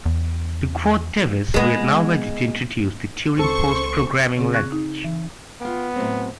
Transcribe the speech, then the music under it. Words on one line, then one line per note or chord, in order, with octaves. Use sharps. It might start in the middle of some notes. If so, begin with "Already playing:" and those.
To quote Davis: We are now ready to introduce the Turing-Post Programming Language.
E2
G#3 B3
C#2 C4 A4 C5 C#6
C#3 C4 G#4
C#6 F#6 G#6 A#6
D#4
E3
B3 F4 G5
A2 F#3 C4